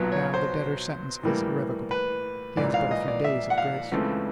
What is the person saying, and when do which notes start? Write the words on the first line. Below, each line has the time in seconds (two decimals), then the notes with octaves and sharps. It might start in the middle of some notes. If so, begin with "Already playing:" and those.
Now, the debtor's sentence is irrevocable: he has but a few days of grace.
Already playing: B1 A#2 F#3 B3
0.12 C#5
0.34 C5
1.23 A2 E3 G3 A#3
1.91 B4
2.57 A#1 G#2 E3 D5
2.74 F5
2.91 D#5
3.08 D5
3.24 E5
3.50 F#5
3.58 F5
3.92 C#2 C#3 E3 A3 C4